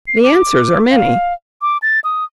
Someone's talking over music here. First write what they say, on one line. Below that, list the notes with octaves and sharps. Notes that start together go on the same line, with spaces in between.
The answers are many.
C7
D6
F5
D6
A6
D#6